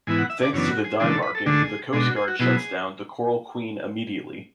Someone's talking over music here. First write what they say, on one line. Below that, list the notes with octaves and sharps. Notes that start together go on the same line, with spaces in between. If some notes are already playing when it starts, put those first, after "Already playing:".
Thanks to the dye marking, the Coast Guard shuts down the "Coral Queen" immediately.
G#2 E3 B3 E4 G#5
F#5
E5
D5
F#2 C#3 E3 B3 D4 C#5
F#4
G#4
C#3 E3 G#3 D4 G#4
A4
B4
A4
D2 D3 A3 D4 G#4
B2 G#3 D4 G#4
F#4
G#4
F#4
B2 F#3 B3 E4 G#4